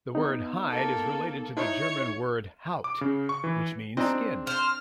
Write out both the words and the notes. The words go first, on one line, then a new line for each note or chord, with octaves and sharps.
The word "hide" is related to the German word "Haut" which means skin.
B3 D#4
A#3 A4
D#4 E4 C#5
D6
C#3
C#6
E3
C4 D4 D#4 G#4 D#5
C5 F6